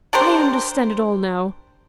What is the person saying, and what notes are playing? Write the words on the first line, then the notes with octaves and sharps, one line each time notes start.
I understand it all now.
D4 G4 A#4 C5